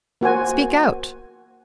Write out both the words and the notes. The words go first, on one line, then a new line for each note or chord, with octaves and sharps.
"Speak out."
A#3 F#4 C5 G#5